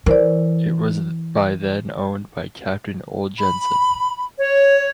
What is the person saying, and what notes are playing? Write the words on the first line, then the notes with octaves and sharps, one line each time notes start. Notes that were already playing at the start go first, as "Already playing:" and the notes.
It was by then owned by captain Ole Jensen.
E3 A#4 C5 D5
B5
C#5